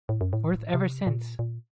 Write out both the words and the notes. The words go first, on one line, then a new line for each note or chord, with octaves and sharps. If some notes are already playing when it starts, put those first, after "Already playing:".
Worth ever since.
A2
F#2
A2
C3
A#2
A#2